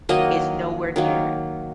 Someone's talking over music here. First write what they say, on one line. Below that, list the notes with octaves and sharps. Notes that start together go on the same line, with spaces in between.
is nowhere near it.
D#3 F#3 A#3 D#5
D#3 F#3 A#3